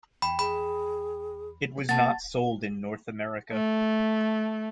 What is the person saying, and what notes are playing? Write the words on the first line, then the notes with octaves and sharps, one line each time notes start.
It was not sold in North America.
E2 G5 B5
G#4 B5
A#3 F#5 A5 A6
A3